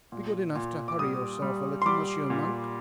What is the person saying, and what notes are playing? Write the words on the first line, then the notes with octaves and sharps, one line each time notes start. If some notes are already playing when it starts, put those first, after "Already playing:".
"Be good enough to hurry yourself a little, monsieur monk."
A#2
A#2
D6
G3 D#6
G3
C6
G3 D6
A#2